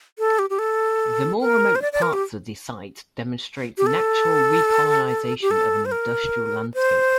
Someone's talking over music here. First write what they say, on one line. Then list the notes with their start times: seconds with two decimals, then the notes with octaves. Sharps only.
The more remote parts of the site demonstrate natural recolonisation of an industrial landscape.
0.19 A4
0.39 G4
0.50 G4
0.59 A4
1.41 A#4
1.76 C5
1.82 D5
1.93 D5
2.02 A#4
2.13 G4
3.78 G4
3.86 A4
5.42 G4
5.51 A4
5.85 C5
5.92 A#4
6.74 C5